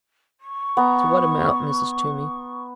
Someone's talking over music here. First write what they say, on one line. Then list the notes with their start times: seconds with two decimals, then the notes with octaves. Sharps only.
"To what amount, Mrs. Toomey?"
0.40 C#6
0.77 B3 A#5